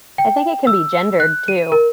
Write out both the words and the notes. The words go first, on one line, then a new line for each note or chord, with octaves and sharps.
I think it can be gendered too.
G5
E6
F#6
D#7
A#4